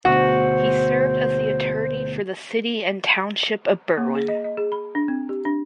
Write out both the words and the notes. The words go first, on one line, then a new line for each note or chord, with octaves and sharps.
He served as the attorney for the City and Township of Berwyn.
D2 B2 F#4 C5
A#3
G#4
D#5
D#5
G#4
B5
D4
C4
G4
D4